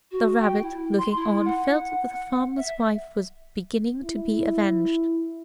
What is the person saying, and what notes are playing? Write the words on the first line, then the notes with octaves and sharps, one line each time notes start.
The rabbit, looking on, felt that the farmer's wife was beginning to be avenged.
F#4
G5
E4
C6
E4
F#5
F#5
E5
E4